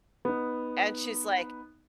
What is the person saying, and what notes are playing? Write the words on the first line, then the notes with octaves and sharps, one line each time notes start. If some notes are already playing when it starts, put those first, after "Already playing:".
And she's like
B3 D#4